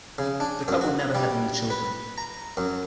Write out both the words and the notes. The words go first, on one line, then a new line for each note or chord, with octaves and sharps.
The couple never had any children.
C#3
D4
F#2
F#4
G3
B4
A#5
F#2